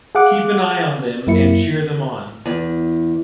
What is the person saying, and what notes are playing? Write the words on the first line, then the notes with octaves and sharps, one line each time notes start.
Keep an eye on them and cheer them on.
G#4 F5 F#5 D6
F#2 A#3 E4 C#7
E2